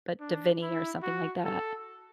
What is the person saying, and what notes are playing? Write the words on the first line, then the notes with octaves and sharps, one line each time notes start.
but Dhivehi or something like that.
D4
E4
F#4
A4